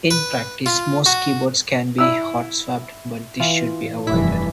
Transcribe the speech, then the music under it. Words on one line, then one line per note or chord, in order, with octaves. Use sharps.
In practice most keyboards can be hot swapped but this should be avoided.
B4
F4
F#4
E4 E6
E3 F4
F1 G2 E3 E4 B6